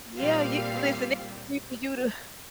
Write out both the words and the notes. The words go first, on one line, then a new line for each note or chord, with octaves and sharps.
Yeah, you listen, it ain't for you to
A#2 G3 C4 F5